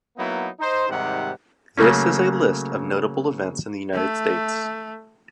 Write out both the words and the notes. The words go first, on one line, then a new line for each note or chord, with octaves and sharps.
This is a list of notable events in the United States.
F#3 A#3 B3 D#4 E4
D#4 C5
G#2 C3 D#3 G3 F#5
C#3 F#3 A3 A#3 C#4
A3